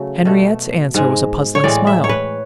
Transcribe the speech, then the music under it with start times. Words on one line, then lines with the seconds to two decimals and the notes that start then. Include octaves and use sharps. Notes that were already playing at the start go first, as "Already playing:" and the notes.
Henriette's answer was a puzzling smile.
Already playing: C#3 F#3 A3
0.25 B2 A3
0.94 G#2 G#3
1.55 C#5
1.64 A2 E3 G#3 D5
1.87 E5
2.04 C#5
2.09 B4